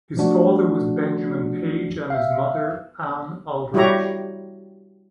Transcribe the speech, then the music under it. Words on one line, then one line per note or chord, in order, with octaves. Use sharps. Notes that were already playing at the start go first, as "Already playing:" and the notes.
His father was Benjamin Page and his mother Ann Aldrich.
F3 A3 D4 F#4
E5 F5
G3 E4 F#4 G4 C#5 A#5